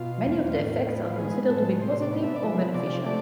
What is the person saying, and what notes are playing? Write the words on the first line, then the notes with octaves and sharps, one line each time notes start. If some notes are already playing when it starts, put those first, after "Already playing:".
Many of the effects are considered to be positive or beneficial.
Already playing: B2 F4
E2
A2
B3
F4
G#3 G#4
A2 A4
C3 C5
D5
B3
E5
D5
F3 E5
C3 D5
A3 D5